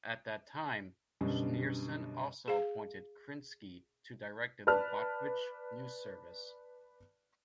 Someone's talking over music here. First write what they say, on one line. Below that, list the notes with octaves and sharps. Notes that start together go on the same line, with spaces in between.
At that time, Schneerson also appointed Krinsky to direct the Lubavitch News Service.
F#2 B2 D3 G3 D4
G#4 F5
B4 D5 A5 F6